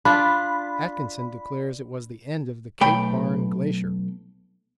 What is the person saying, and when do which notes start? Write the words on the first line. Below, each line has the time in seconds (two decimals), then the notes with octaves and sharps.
Atkinson declares it was the end of the Cape Barne Glacier.
0.05 D4 F4 B5
2.81 B1 A3 G5 B5